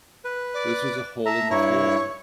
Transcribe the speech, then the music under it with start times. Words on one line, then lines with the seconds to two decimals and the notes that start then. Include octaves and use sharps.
this was a hole in the floor.
0.24 B4
0.54 D5
1.26 E5 A5 A#5
1.50 G2 E4 C#5